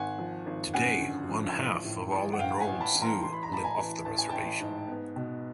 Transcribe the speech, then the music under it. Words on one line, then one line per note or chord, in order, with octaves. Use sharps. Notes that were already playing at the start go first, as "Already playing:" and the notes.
Today, one half of all enrolled Sioux live off the Reservation.
Already playing: G#1 F#5 G#5
F3
G#1
F#2 F#5 G#5
D3
F3
A1
A2
A1
F#5
A1 F5 G5
F#5 G#5
A1
A5 B5
E3
A#5 C6
E3 C6
B5
A#5
A1 A5 B5
G#5 A#5
E3
A1 A5
G#5
A1 G5 A5
G#2
B3
B2